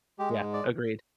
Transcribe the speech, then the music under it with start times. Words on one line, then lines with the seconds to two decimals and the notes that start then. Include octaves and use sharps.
Yeah. Agreed.
0.19 G#3 G4
0.42 G#2
0.53 D5